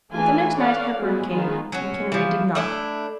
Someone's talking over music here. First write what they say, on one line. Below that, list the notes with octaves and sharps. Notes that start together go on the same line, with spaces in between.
With the next night Hepburn came; and Kinraid did not.
E3 A3 D4 F4 G#4 G#5
A4 C#5 D5 F5 F#5
F#3 G#3 B3 E4 F#4 G#4
D#3 B3 D#4 F4 G#4
F#3 C#4
E3 F3
A3 D4 E4